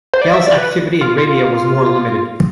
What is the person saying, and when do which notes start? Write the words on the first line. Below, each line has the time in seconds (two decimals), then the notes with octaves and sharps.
Hale's activity in radio was more limited.
0.14 C5
0.22 D5
0.34 E5
0.46 D5
0.58 B4
1.01 F4
1.18 F4